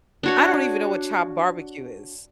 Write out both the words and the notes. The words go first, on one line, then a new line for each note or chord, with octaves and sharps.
I don't even know what chopped barbecue is.
D4 F#4 C#5